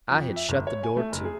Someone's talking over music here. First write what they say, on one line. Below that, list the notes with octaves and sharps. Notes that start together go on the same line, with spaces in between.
I had shut the door to.
F2
E5
G1
C#5
G#5
A3
F#1
G#4